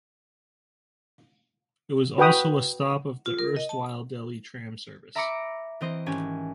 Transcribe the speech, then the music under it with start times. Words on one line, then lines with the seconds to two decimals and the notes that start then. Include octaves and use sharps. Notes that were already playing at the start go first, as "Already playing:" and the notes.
It was also a stop of the erstwhile Delhi Tram Service.
2.18 F#4 B4 G5 D#6
3.26 F4
3.39 A#4
3.56 D#5
3.69 A5
5.15 E5 A#5 B5 D6 A#6 C#7
5.81 E3 C4 C5 D#5
6.06 G#1 C#4 G4 G#5